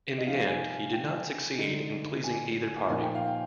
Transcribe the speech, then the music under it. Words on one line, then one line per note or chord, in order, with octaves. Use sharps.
In the end, he did not succeed in pleasing either party.
D#5
C3 F3 C4 D#4 F5
G#5
G#5
G5
D3 G#3 D#4
G#5
A#2 F3 A#3 D#4 G#5
G5
F5
G5